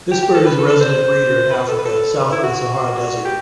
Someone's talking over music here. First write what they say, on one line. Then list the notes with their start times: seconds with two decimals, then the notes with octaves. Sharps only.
This bird is a resident breeder in Africa south of the Sahara Desert.
0.11 G4
0.23 G4
0.34 A4
0.46 B4
0.58 A4
0.64 B4
0.69 A4
0.81 C5
1.51 B4
1.68 A4
1.79 B4
1.86 A4
2.20 B4
2.32 E4
2.44 F#4
2.55 F#4
3.25 G4